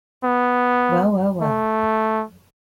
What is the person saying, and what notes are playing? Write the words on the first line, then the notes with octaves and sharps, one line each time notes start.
Well, well, well!
B3
A3